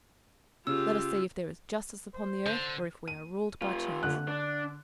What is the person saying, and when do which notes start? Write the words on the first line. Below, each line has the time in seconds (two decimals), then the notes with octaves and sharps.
Let us see if there is justice upon the earth, or if we are ruled by chance.'
0.67 C#3 F4 G4 E6
2.14 C5
2.46 D3 G6
3.08 D#7
3.62 C3 F4
4.03 D3 F#6
4.28 D4